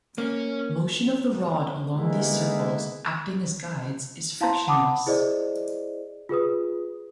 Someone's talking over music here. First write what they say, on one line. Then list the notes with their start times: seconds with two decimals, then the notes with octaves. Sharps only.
Motion of the rod along these circles, acting as guides, is frictionless.
0.18 A#3 C#4
1.95 D3 D#3 G#3 A#3 B3 E4
4.41 E4 F5 A5 A#5 C6
4.68 F#5 A5 B5 D6 D#6
5.06 E4 G#4 C5 D5 D#5
6.29 F4 G#4 B4 D#6